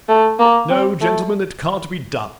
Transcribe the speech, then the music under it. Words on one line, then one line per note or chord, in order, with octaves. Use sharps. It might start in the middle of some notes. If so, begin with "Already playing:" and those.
No, gentlemen, it can't be done.
A3
A#3
C4
A3